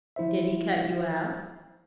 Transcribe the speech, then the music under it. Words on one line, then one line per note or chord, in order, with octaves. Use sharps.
'Did he cut you out?'
F3 E4 C5 E5